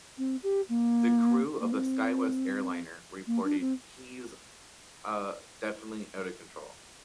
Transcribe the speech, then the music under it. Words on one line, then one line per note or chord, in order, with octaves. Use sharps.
The crew of a Skywest airliner reported "He's, uh, definitely out of control".
C4
G4
A#3
A#3
C4
A#3
D4
C4